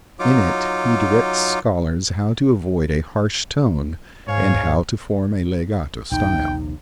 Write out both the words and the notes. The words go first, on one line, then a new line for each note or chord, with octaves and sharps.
In it he directs scholars how to avoid a harsh tone, and how to form a legato style.
F#3 D#4 F4 D6
G#2 C#5 F5 G#5
A#1 D#2 C3 D#4 G5